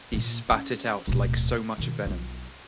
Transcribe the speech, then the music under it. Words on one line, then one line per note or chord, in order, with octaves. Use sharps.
He spat it out like so much venom.
A#2 A#3
C#4
D1 B2
B2 D#3
B1 F4